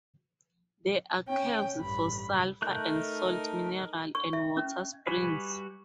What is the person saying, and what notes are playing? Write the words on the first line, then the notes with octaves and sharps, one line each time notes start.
There are caves for sulphur and salt mineral, and water springs.
C#4 G5
A1 G2 B5
A3 D#4 A4 A#4 F#6 G6
C#6
E5
C#4
G3 F#4 B4 G#5 B5